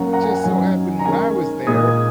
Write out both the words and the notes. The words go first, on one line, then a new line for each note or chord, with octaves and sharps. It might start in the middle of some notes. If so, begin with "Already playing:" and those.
just so happened when I was there,
Already playing: F#2 F#3 A#3 C#4 F#5 A#5
F#5 A#5
G#5
F#5
F#2 F#3 D#4 G#5
A#5
D#3 G#3 C#4 G#5
A#2 G#3 D#4 D#6 G#6
D#6 G#6